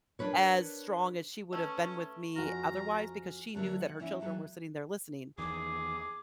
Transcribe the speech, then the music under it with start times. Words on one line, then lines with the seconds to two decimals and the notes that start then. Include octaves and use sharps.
as strong as she would've been with me otherwise, because she knew that her children were sitting there listening.
0.19 D4 A#4 B4 C#5
1.53 A3 C#4 B4 E6
2.36 F2 F#4 G#5 A#5 F6
3.55 D2 D3 F#3 A3 A#4
3.81 F#5
4.00 E3 C#4 D#4 E4
4.20 F2 E3 F#3 A4
5.38 E2 D#3 G#4 D6